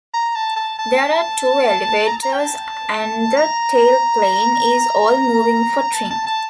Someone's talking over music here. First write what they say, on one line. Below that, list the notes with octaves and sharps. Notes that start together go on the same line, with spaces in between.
There are two elevators and the tailplane is all-moving for trim.
A#5
A5
A5
A5
A#5
A#5
G5
A5
A#5
A5
A5
A5